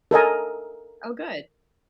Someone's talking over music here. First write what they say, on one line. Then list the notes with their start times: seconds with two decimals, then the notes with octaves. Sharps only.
Oh, good.
0.11 A4 A#4 D#5 G#5